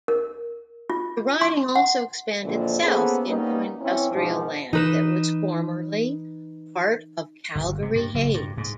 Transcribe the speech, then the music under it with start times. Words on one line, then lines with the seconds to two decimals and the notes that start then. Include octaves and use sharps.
The riding also expanded south into industrial land that was formerly part of Calgary-Hays.
0.08 A#4
0.90 F4
1.41 C6
1.76 F#5
2.43 F2 A#2 D3 E3 F3
2.81 A#3 B3 C#4 G#4 A4 C5
3.27 G3 A#3 B3 C#4 D#4
3.80 E3 C4 C#4 E4
4.10 G#2 B2 F3
4.73 E3 D#4 B4 E7
7.55 G1
7.82 C3
7.95 G2
8.14 F#1
8.34 G2
8.57 G#2